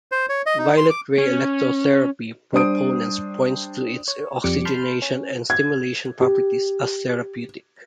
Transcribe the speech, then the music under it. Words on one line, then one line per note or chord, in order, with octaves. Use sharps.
Violet ray electrotherapy proponents point to its oxygenation and stimulation properties as therapeutic.
C5
C#5
D#5
D#4
C6
D6
C#4
G3 D4 C5 D#6 D7
C#5
F2 G3 D6 C#7
A5 B5 C6 F6 G6
C#4
G#6
G4